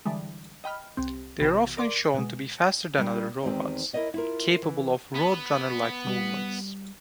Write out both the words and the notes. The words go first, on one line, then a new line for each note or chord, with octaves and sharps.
They are often shown to be faster than other robots, capable of roadrunner-like movements.
D3 E3 G3 G#3
D#5 G5 B5 F6
C2 C4
B1 C3 E3 G6 A#6 E7
A#4 D5 C6 D6
B2 G#3
G3 A#3 D4
E2 D#3 G#3 C4 G4
E4 A#4 B4 C#5 D#5 E5
E4 F4 A#4
E3
B3
G3